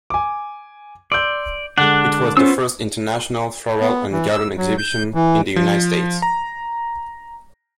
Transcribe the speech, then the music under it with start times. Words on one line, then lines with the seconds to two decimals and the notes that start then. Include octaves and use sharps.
It was the first International Floral and Garden Exhibition in the United States.
0.10 G#5 D6
1.12 D5 C6 E6 G6
1.78 D3 G#3 D4 F#5
2.37 B3 C#4 F4 C5 E6
3.81 B3
4.12 E3
4.32 E6
4.57 F#3
4.78 G6
5.14 E3
5.56 F3
6.22 A#5